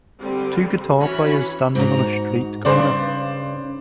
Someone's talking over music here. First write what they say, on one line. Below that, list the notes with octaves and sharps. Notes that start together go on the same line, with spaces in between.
Two guitar players standing on a street corner.
D3 G3 C4
E3 C#4 F#4 C#5 B5
G#2 F#4 A#5
G2 C#3 B4 C5 D5